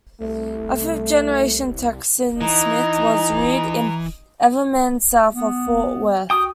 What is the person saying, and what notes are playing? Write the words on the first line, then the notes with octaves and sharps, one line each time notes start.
A fifth-generation Texan, Smith was reared in Everman south of Fort Worth.
C2 A3
E3 D#4 A#5
B3
F#4 G5 D#6